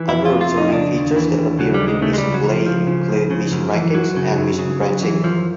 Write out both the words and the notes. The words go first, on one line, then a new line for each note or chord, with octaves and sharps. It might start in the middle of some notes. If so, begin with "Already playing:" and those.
Other returning features that appear in mission play include mission rankings and mission branching.
Already playing: E3
F2 E4
C3 F4
F4
F2
D#4
C#3 D4
D#2
E3
D#2
C#3 F#3
G3
D#2
G#3
C#3 A3
G#3
C#2 G3
F#3
E3
F3
C#2 F3
C#3
C#2
C#3
F#2
E3
F#2 F#3
C#3
F#2
C#3
F#2
E3
F#2 F3